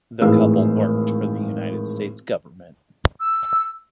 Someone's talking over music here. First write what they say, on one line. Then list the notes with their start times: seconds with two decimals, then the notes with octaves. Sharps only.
The couple worked for the United States Government.
0.21 G#1 A2 E3 G#4 F5 E6
3.20 E6